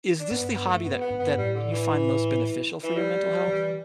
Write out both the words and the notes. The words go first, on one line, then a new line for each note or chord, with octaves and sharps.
is this the hobby that that you find most beneficial for your mental health?
D4
G2 B3
B3
A3
B3
B3
G2
B3
A2 G3
D3
E3
E3
G3
E3